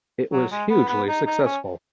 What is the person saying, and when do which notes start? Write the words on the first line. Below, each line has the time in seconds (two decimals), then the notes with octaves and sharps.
It was hugely successful.
0.33 F#3
0.52 G#3
0.70 B3
0.88 B3
1.08 D#4
1.27 D#4
1.45 C#4